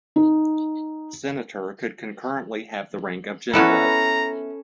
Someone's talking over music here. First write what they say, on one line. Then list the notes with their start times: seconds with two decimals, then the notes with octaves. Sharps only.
Senator could concurrently have the rank of General.
0.16 D#4
3.53 B3 C#4 E4 A4 B4 A#5